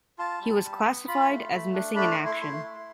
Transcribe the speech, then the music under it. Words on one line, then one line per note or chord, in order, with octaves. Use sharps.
He was classified as missing in action.
F4 A5
G3
G3
B3
F4 B5
A3
A3
D4
A3 B5
C6
E4
C6
A3 C6
E4